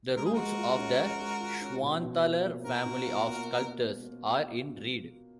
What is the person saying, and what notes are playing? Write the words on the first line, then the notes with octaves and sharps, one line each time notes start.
The roots of the Schwanthaler family of sculptors are in Ried.
G#3 A#4
G#4
G#3 F#4 A#4
F4
C#4
G#3
G#3
F4
C#4
B2
B2
F4
A#3
B2 F#4 A#4
B2
F4
A#3